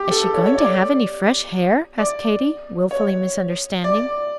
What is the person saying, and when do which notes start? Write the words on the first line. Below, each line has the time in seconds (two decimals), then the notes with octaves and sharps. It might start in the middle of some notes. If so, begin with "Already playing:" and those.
"Is she going to have any fresh hair?" asked Katy, wilfully misunderstanding.
Already playing: G4
0.11 A4
0.23 A4
0.34 C#5
0.46 C#5
0.58 D5
1.98 D5
2.91 C#5
3.84 D5